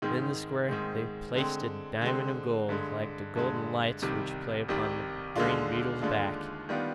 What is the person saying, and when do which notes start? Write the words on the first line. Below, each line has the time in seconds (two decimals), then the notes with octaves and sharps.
Within this square they placed a diamond of gold like the golden lights which play upon the green beetle's back.
0.02 G#2 D#3 G#3 C4
0.68 G#2 D#3 G#3 C4
1.35 D3 G#3 C4
2.02 D3 G#3 C4
2.69 G2 D3 G#3
3.35 G2 D3 G#3
4.02 C2 C3 D#3 G3
4.68 C2 C3 D#3 G3
5.36 D#2 D3 G#3 D4 F4
6.02 D#2 D3 G#3 D4 F4
6.69 D#3 G3 B3 D4 F4